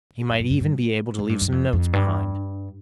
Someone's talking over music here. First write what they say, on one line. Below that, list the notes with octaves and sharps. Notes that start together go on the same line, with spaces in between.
He might even be able to leave some notes behind.
G2
G2
G2
G2
G#2
G2
F#2
F2
F2
G2